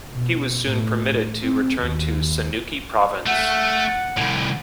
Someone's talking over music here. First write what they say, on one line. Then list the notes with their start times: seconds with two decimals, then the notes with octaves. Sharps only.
He was soon permitted to return to Sanuki Province.
0.10 B2
0.65 A2
1.41 C4
1.79 D#2
3.26 A3 F#5
4.17 C2 A2